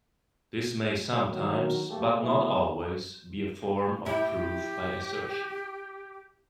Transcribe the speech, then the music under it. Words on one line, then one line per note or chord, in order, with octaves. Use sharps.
This may sometimes, but not always, be a form of proof by assertion.
D3 D#3 F#3 F#4 A#4
A3 A#3 G4
F#3 A3 B3 E4 G#4
E4 G4